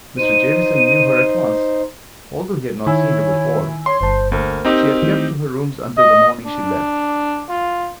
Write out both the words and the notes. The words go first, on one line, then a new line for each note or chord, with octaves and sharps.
Mr. Jamieson knew her at once, although he had not seen her before. She had kept to her rooms until the morning she left.
D#4 C5 D#7
D#3 E4 C#5 G#5 E6
C#5 C6
G1 G2 C5 A5
D2 A#3 A#4 C5
C4 D#4 G4
D#3 E3 A3
D#5
D4
F4